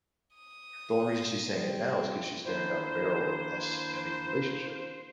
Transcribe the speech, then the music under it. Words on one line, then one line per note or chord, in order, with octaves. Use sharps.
the only reason she's saying it now is 'cause she's staring down the barrel of us ending the relationship,
D#6
G3 C4
D#3 A#3 D4 E4 C5